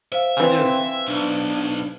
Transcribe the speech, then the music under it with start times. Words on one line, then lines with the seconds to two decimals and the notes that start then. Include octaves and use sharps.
I just,
0.12 C5 E5 F5
0.40 E3 C4
1.07 B1 D4